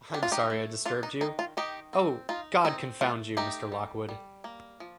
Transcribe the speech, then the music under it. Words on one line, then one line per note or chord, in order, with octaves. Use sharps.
I’m sorry I disturbed you. Oh, God confound you, Mr. Lockwood!
D4 G4
F4
D#4 G4
A3
D4 F4
D#4
D#3 D#4
F4
D#3 D#4 G4
C4
D#4 F4
C4 D#4
A3 F4
A3 D#4 G4
G3
G3
A#3
F3